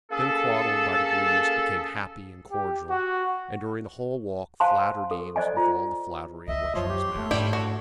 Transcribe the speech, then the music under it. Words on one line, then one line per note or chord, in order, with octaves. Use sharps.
Then Cradell by degrees became happy and cordial, and during the whole walk flattered Eames with all the flattery of which he was master.
A#3 C#4 G#4 A4
G4
F#4
C5 F5 G#5 A5 C6
A4
C5 D5 D#5 G#5
F4
C#2 C#3 D#5 E5
F#2 F3 C#5 C6
G4
A3 B3
G#2 G3 E4 G5
F#4